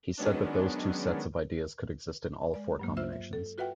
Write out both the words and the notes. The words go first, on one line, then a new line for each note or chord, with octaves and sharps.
He said that those two sets of ideas could exist in all four combinations.
D#3 F#3 G#3 B3 C#4 D4
G#3 D5
G2 F#3 A#3
F4 C5 E5 E6
E5
A4
F4 F#4 B4 E5 F#5 G5